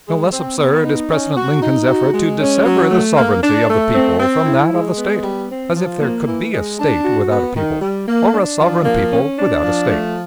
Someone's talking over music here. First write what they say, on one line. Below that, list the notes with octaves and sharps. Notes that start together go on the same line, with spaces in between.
No less absurd is President Lincoln's effort to dissever the sovereignty of the people from that of the State; as if there could be a State without a people, or a sovereign people without a State.
G#3
C4
B3
D#4
C#4
F#4
D#4
F#4
G#3
C#4
F#3
A3
A#3
D4
A3
C4
C4
E4
G#3
B3
G3
C4
F3
A#3
E3
G#3
D4
F#4
B3
D#3
G3
A#3
D4
F3
A#3
C#4
D4
F3
A3